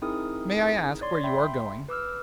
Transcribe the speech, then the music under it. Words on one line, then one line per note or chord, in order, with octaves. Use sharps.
May I ask where you are going?'
C4 D#4 E4 G#4 A#4 D#6
C#5 D5 C6
E5 G5 B5 C6
B4 D6 E6 F6